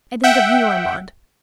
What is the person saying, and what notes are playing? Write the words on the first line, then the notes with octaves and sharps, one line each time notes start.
I think of you, Armand.
E5 F#5 G5